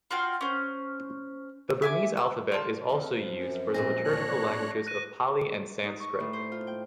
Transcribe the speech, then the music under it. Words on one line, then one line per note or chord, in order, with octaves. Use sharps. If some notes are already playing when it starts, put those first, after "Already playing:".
The Burmese alphabet is also used for the liturgical languages of Pali and Sanskrit.
F4 F#4 F5 G5
C#4 C5
E5 G#5 D6
E6
F4 A5
F2 F3 D#5
F#2
A#2 G#3 C4 A#6
D4 C#5 F#6
F#6 A#6 D#7
D#4
C#6
A2
C5
F4
G5